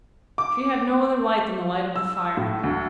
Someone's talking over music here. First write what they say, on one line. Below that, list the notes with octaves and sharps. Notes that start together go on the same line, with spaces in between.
She had no other light than the light of the fire.
D6
E6
A2
D2